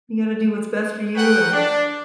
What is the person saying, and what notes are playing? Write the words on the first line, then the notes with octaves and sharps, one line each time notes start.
you gotta do what’s best for you and
G#4 A#4 B4 C#5 F#5 G5
D4